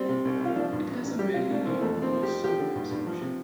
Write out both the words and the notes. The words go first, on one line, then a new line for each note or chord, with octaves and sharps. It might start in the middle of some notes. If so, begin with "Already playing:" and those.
It has a very low moisture absorption.
Already playing: G3 C4
C3
C2
C2 F4
F3 D4
G2
A1
A1
G3 G4
C3 F4
C2 D4
C2 C4
F2 A3
F3 C4
F3
G4
F2
F3 G4
D3
G2
G2
F3
C3